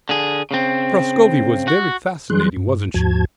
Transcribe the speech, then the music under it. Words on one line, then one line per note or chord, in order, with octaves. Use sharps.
"Prascovie was very fascinating, wasn't she?"
D3 G#4
C#3 C4
F#4
E3 F#3 G3 G#4 C6 F#6
G2
D#2 G#2 F3 F#4 A5 G#6